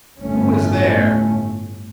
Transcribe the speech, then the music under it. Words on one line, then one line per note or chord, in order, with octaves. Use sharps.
Who is there?
G1 A2 A3 C#4